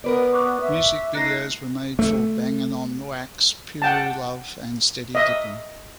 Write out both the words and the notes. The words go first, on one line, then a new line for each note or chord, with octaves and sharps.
Music videos were made for "Bangin' on Wax", "Piru Love" and "Steady Dippin"'.
B3 A#4 B4 D5
C#6 D6 F#6
E5
A3 D#4 F#6 A#6 C7
A3
F#5 G5 A5
D#5 E5